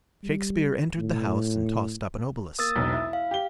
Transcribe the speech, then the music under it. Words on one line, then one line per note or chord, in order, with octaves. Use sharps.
Shakespeare entered the house and tossed up an obolus.
G3
A2
A#3 D#6 E6 A6
E1 B1
E4
F5
G4 G7